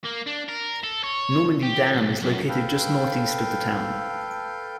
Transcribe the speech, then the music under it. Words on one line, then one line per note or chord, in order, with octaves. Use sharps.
Normandy Dam is located just northeast of the town.
A#3
D4
A#4
A4
C#5
G4
B1
F#2
A4 B4 F5 G5